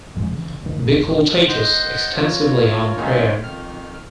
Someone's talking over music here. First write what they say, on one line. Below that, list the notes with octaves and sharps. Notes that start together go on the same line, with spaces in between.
Bickle teaches extensively on prayer.
A1 F2 F3 G#3
C#3 E3
D2 G2 D#3
D#1 A#1 F2 B3
C5 D#5 F#5 C6
F4 A#4 C#5
D#3 F#3 G#3 A#3 C#4 D#4
F2 D#3 F6